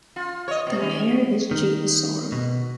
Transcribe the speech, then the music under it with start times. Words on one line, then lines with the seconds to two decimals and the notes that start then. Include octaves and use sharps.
The mayor is Jeanne Sorg.
0.16 F4
0.48 C#5 D#5
0.67 B2
0.80 D#3 C#4
1.51 D#3
2.32 B2